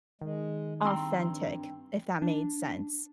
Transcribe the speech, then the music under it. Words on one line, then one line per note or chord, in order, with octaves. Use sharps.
authentic if that made sense.
D#3 G#3
G2 C4 G5 A#5 C6 E6
D4